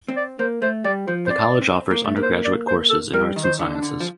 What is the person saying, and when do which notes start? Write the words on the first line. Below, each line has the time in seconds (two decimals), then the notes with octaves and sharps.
The college offers undergraduate courses in arts and sciences.
0.08 C4
0.17 D5
0.39 A#3 C5
0.62 A3 C5
0.84 G3 D5
1.07 F3 C5
1.26 C5
1.30 C4 D5
1.61 C4
1.91 A#3
2.04 A3
2.16 A#3
2.23 C5
2.45 D5
2.68 C5
2.90 A4
3.14 G3 A#4
3.36 D#3
3.44 C5
3.59 D3
3.75 D4
3.82 D3
4.00 F3